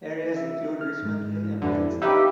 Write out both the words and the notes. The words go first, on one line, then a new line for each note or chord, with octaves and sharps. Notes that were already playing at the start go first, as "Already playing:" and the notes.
Areas include Richmond Hill and Lansdowne.
E5
F6
G#2 G#3
F2 D3 E3
D#4 G4 B4 E5 F5 E6